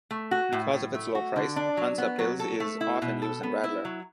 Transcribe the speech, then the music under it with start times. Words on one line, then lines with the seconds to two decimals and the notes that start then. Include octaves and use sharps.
Because of its low price, Hansa Pils is often used in Radler.
0.11 A3
0.31 F#4
0.53 A2
0.73 A2
0.94 A3
1.15 F#4
1.36 D3
1.56 D4
1.77 F#3
1.98 B3
2.19 F#3
2.40 A4
2.60 A3
2.81 E4
3.02 B2
3.22 A4
3.43 B3
3.64 E4
3.85 F#3